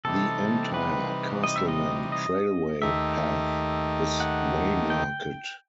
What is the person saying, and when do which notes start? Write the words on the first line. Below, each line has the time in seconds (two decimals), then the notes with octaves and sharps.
The entire Castleman Trailway path is waymarked.
0.05 C3 E3 G3 D#4 A4
0.74 B4
1.44 D#5
1.56 E5
1.68 D#5
2.12 D#5
2.82 D#2 D#3 A3 D#4 G4 E5
4.20 F#5
4.90 G5